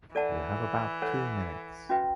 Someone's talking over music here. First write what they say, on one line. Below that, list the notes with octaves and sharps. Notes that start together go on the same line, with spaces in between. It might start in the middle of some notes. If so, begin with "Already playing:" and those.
You have about two minutes.
E3 A4 D5 F#5 A5
A4 C#5 F#5
C#4 F#4 B4 E5 G5